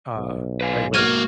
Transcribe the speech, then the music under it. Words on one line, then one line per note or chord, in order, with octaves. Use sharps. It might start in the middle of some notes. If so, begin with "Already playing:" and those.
Uh, I like
B1
B4 F5 G#5
G#2 A#3 F#4 F6 G#6 D#7